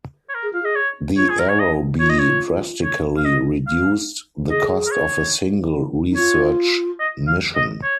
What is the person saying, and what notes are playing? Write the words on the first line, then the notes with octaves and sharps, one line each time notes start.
The Aerobee drastically reduced the cost of a single research mission.
C#5
A#4
G#4
F4 F5
G#4 D#5
C#5
F4 C#5
G#4
A#4
C#5
D#5
F4 C#5
D#5
C#5
C#5
F5
D#5
F5
G#4 D#5
A#4
C#5
D#4
F4 C#5
D#5
F5
D#5
C#5